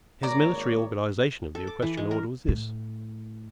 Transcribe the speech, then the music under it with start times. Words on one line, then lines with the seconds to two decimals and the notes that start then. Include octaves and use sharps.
His military organization of the equestrian order was this.
0.23 G#1 A#3 C#5 D5 A#5
1.55 A4
1.67 D6
1.82 E3
1.97 G#3
2.11 A#4
2.48 A2